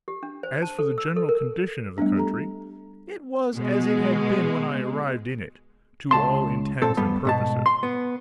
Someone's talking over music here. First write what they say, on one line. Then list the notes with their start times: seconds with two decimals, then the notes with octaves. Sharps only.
As for the general condition of the country, it was as it had been when I arrived in it, to all intents and purposes.
0.08 G4
0.23 D4
0.43 C5
0.62 A5
0.79 A4
0.98 E6
1.17 A4
1.29 A#4
1.98 G3 A3 B3 D4
2.15 G4 A4 A#5
3.54 B2 G#3
6.11 C#2 A5 C6
6.82 A#2 C4 A4
6.97 G2 G3 B3
7.25 G#2 B2 A5
7.66 C6
7.83 B3